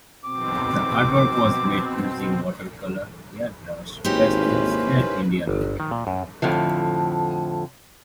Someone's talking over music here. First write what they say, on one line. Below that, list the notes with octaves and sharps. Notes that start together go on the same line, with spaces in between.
The artwork was made using watercolor airbrush, pastels, and India ink.
B2 C4 D6
G#1 A#3 C#4 D#4 E4 G4 B4 C5
G1
D#3
A#2
F#2
F2 A2 D3 F3